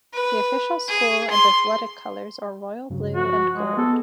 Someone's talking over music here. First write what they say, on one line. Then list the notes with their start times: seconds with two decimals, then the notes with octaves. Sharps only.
The official school and athletic colors are royal blue and gold.
0.14 B4
0.89 G#4
1.31 C6
2.90 G2 C#3 F#3
3.14 F3 F#4
3.55 G#3
3.77 B3 G#4 A4